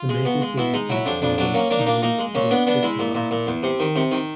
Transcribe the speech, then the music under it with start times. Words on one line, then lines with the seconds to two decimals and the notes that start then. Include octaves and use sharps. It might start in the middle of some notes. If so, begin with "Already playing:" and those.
The magazine had always moved with the times.
Already playing: F4
0.09 G#3
0.25 B2
0.42 G#3
0.58 B2 E4
0.74 G#3 D#4
0.89 F#3 E4
1.06 F2 D4
1.22 F2 D4
1.38 F#3 D4
1.54 A#3 C#4
1.70 A#3 D4
1.79 D#4
1.86 A#3 D4
2.02 A#3 D#4
2.19 G#3
2.35 A#2 C#4
2.51 B3 D4
2.67 B3 D4
2.83 G#3 E4
2.99 A#2
3.15 A#2
3.31 A#2
3.47 E2
3.63 C3
3.80 D#3
3.96 C3
4.11 D#3